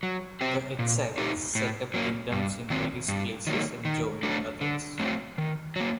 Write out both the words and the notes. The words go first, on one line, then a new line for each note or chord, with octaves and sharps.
The Exiles set up kingdoms in various places and joined others.
F#3
C4 G4
A#2
A3 D#4 G4
A2
F#3 A#3
G2
D#3 F#3 C4
G2
D#3 F#3 A#3
D#3
F#3 A3 D4 A4
D3
F#3 A3 C4
D#3
F#3 A#3